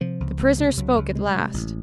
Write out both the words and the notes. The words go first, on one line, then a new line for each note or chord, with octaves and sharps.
The prisoner spoke at last.
C3 F3
C#2
C#2
C3
C#2 F#3
C#2
G3
C3 G#3
C3
A1